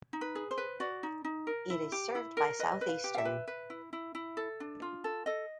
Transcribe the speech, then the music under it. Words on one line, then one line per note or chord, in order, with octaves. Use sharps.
It is served by Southeastern.
D#4
B4
G#4
C5
B4
F#4 D5
D#4
D#4
A#4
E4
G4
E4
A#4
B4 D#5
B4
F5
G4
F5
E5
B4
B4
E4
E4
E4
A4
D4
F4
A4
A4 D#5